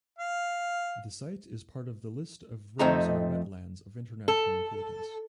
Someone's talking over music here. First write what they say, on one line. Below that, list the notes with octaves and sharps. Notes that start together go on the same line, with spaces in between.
The site is part of the List of Ramsar wetlands of international importance.
F5
F2 A3 C4 D#4 A#5
A4